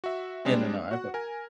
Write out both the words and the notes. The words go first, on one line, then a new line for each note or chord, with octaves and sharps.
Yeah, no, no, I've got
F#4 E5
G3 G#3 C4 D4 G#4
F#4 F#5
A#4 G#5